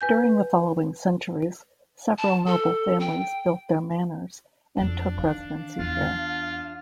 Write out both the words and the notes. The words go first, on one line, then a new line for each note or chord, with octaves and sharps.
During the following centuries, several noble families built their manors and took residency here.
B4 G#5 G6
A5
A4
G5
F2 F#3 D4 A4
D#3 F5
E2 F4